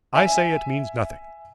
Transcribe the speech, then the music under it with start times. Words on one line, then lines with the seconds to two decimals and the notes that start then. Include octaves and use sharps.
'I say it means nothing.
0.15 E5 G#5